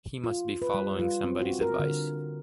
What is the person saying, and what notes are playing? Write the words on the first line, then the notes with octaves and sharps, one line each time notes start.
He must be following somebody's advice.
F4
B4
G3
F4
C4
F#4
A#4
D3